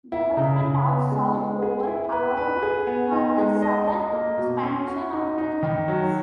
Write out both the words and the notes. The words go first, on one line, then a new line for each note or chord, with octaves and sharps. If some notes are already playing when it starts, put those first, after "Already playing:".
Development of South Oval allowed for the southern expansion of the campus.
E4
C#3
C#3
B3
G#3
G#3
G#4
E4
B4
B4
G#4
B3
D#4
G#3
D#5
D#5
A#3
B2
C#4
F#4
D#4
D#4
D#3
F#3